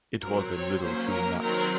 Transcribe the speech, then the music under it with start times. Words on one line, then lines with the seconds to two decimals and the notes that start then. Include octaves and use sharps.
It was a little too much.
0.22 F#3 C4 A#4
0.52 C#5
0.82 F#3 A#3 C#4 C5
1.11 A#4
1.41 D#3 F#3 C4 A#4